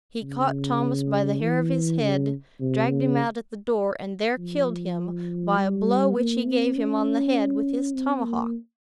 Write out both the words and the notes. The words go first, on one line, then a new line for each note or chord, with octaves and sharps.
He caught Thomas by the hair of his head, dragged him out at the door and there killed him, by a blow which he gave him on the head with his tomahawk!
C#3
E3
C#3
C3
C#3
F3
G3
A#3
C4
C#4
C4
A#3